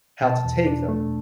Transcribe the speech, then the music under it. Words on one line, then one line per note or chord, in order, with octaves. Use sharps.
how to take them.
B2 A5
E2
D4
A3